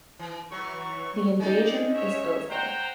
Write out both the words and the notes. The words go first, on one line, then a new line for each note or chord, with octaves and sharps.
The invasion is over.
E3
E3 F#3 C#6
G#3 C#4 D#4 D5 G5
C#5 E5
C5 F#5 G5 A#5